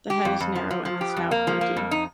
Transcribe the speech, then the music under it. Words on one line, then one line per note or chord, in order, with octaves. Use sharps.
The head is narrow and the snout pointy.
G4
F2
F2
F3
F3
F3
G4
F2
A#3
F3
A#3
F2
D#4